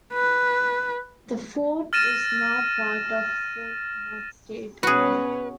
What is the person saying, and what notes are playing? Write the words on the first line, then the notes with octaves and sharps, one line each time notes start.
The fort is now part of Fort Mott State Park.
B4
F6 A6 A#6 D#7 E7
B2 C#4 F#4 G#4 B4